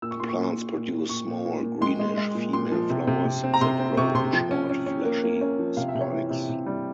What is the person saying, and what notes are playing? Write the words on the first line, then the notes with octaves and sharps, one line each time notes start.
The plants produce small, greenish, female flowers that grow on short, fleshy spikes.
A#2 E6
C#6
A#2 C6
C#6
A#2
A#2
A#2
A#2
A#2 C#6
A#2
A#2
A#2
G#3 C6
G#3
G#3
A#2
A#2 C6
F3
C3
C3
C3
C4
A#5
C3 C6
C4
C3 C#6
C3 C6
F3 G5
C#4
C#4
C#4
A#3
A#3
C#4
F3
C3 F5
E5
C3
C#5
E3
C3
C3
G3